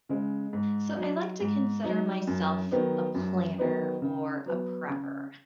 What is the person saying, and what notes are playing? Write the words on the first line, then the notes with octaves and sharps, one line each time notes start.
So I like to consider myself a planner or a prepper,
C#3 G#3
G#2
F#3 D#4
G#2
F#3 D#4
F#2
D#3 F#3 B3 D#4
F#2
D#3 F#3 B3 D#4
C#3
F#3 B3
C#3